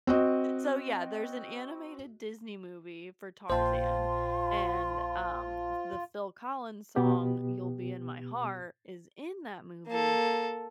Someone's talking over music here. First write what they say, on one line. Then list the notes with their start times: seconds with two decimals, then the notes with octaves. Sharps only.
So, yeah, there's an animated Disney movie for Tarzan and, um, the Phil Collins song, "You'll Be In My Heart," is in that movie;
0.07 C4 F#4 D#5
3.50 A#1 A#2 F4 C5 G5 A5 C6
6.96 B2 B3 G4
9.87 A#3 A4